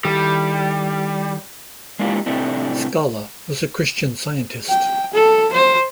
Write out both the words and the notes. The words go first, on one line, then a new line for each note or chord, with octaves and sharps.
Skala was a Christian Scientist.
D#3 G3 E4 A4
G#3 A#3 D4 E4 F4 G4
A2 C3 A3 C4 D4 E4
G5
A4
C5